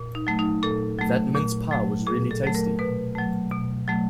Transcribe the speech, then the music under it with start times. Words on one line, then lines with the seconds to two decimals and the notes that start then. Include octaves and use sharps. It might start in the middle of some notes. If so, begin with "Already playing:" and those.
That mince pie was really tasty.
Already playing: A#2
0.15 D#4
0.27 F#3 A3
0.39 D#4
0.63 A#2 A4
0.99 F#3 A3
1.35 A#2
1.71 F#3 A3
2.07 A#2 G#4
2.31 A4
2.43 F#3 A3
2.55 A#4
2.79 B2 B4
3.15 F#3 A3
3.51 B2
3.88 F#3 A3